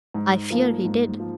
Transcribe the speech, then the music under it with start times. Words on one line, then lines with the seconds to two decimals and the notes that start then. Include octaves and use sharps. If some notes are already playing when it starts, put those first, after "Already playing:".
I fear he did.
0.14 G#2
0.51 F3 A#3
0.85 G#2
1.20 F3